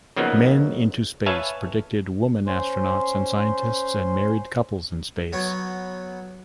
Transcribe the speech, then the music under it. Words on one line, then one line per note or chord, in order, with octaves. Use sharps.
"Men Into Space" predicted women astronauts and scientists and married couples in space.
C#3 F3 F#3 A#3 B3 D#4
B4 C#5 E5 F5 G#5 A5
C#4 C5 C6
F#3 B3 C#5